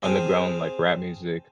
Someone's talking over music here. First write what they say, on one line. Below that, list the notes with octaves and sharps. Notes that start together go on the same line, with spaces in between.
underground, like, rap music,
C4 G#4 F5 A5